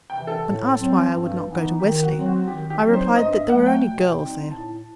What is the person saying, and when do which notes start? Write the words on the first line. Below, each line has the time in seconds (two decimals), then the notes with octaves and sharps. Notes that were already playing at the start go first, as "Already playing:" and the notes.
When asked why I would not go to Wellesley, I replied that there were only girls there.
0.10 C3 E3 G5
0.27 A4
0.45 A2
0.78 F#3 C4
1.12 G2
1.46 E3 B3 D#4
1.80 D#3 G4
2.02 F#4
2.13 F#3 C4
2.26 F#4
2.48 D#3 G4
2.70 G4
2.81 F#3 C4 D#4
2.93 C5
3.06 C5
3.16 G2 D#5
3.32 E5
3.49 F#3 A3 F#5
3.66 G5
3.84 B2
4.18 G3 C4 D#4
4.51 A2 A5